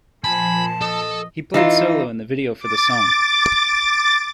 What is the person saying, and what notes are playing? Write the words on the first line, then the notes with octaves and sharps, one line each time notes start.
He played solo in the video for the song.
A#2 F3 G#5 A5 B5
A4 D#5
E3 D#4 F4
D6 A6